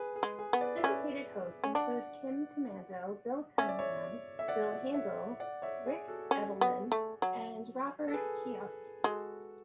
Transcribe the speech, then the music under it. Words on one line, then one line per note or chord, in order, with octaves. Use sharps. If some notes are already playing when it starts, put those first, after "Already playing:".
Syndicated hosts include Kim Komando, Bill Cunningham, Bill Handel, Ric Edelman and Robert Kiyosaki.
Already playing: G#4 B4
G#4
G#3
G#4
B3
B4 D5
E5
C#4 B4 D5
C#4
D4 D5 F#5
C#4 E5
D5
C#5 E5
E5
D5 F#5
C#5 E5
D5 F#5
C#5 E5
G#4
F#4 A4
C#4
B3
A3
F#3
A4
G#4 B4
G#3 F#4 A4